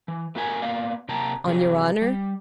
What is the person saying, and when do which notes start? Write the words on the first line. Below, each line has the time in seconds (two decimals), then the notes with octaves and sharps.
"On your honor?"
0.08 E3
0.35 A3 B3 F#4 A#4 E5 G#5
0.62 A#3 B3 D5 F5
1.09 C3 A#3 G5 A5 A#5
1.46 C3 F#3 G#4
2.02 G3